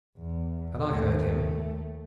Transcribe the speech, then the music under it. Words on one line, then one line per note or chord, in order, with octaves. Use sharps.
Had I heard him?
E2
D#2 A3